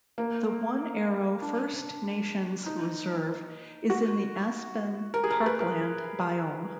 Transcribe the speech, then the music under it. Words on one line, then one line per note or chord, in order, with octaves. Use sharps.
The One Arrow First Nation's reserve is in the aspen parkland biome.
A#3
D4
D#4
F#4
A#4
G#4
A#4
B4
A#4